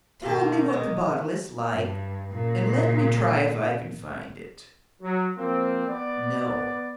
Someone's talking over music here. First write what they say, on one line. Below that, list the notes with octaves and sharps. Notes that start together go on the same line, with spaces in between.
'Tell me what the bottle is like, and let me try if I can find it.' No!
B2 D#3 A#3 F4 A4
A#2 G#3
G2
A#2 C#3
F#3
F3 A#3 C4
B3 D5